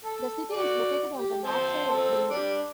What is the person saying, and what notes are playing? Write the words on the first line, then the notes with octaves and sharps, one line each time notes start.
The city is located on the north side of Green Lake.
A4
F#4 D5
G4
C4 C5 A5
C4 A4
G3 D4